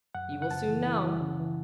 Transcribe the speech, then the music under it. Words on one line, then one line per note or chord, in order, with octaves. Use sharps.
"You will soon know."
F#2 F#5
C#3
F#5
F#2 A5
E3
E3
E3
C#3
E3